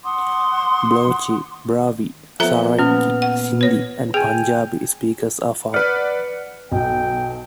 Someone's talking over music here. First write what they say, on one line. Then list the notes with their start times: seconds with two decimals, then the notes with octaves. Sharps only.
Balochi, Brahvi, Saraiki, Sindhi and Punjabi speakers are found.
0.03 F#5 C6 D6 D#6
2.40 F3 B3 A4 E5 A#5
2.79 A#2 B3 C#4 F6
3.22 F#5
3.61 B4 C#5
4.14 G#4 G5 G#5
5.74 B4 D5 F#5 F6
6.72 B1 G5